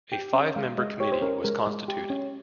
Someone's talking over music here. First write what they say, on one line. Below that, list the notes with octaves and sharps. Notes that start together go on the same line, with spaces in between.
A five-member committee was constituted.
G4 G5
C#4
G#3 F5
G#3 D#5
G4 C#5
C5
C#4 A#4
G#3 A#4
G#3
G4
C#4